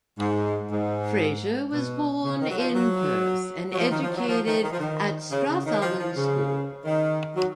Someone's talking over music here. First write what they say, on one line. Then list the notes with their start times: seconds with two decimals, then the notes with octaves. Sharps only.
Fraser was born in Perth and educated at Strathallan School.
0.19 G#2
0.71 G#2
1.73 B2
2.24 C#3
2.41 D#3
2.50 F#3
2.58 F3
2.75 F#3
3.72 F#3
3.77 F3
3.90 D#3
4.03 F3
4.16 F#3
4.29 F3
4.46 D#3
4.63 D#3
4.72 F3
4.80 D#3
5.31 C#3
5.49 C#3
5.66 D#3
5.82 F3
5.99 F3
6.16 C#3
6.85 D#3
7.36 F#3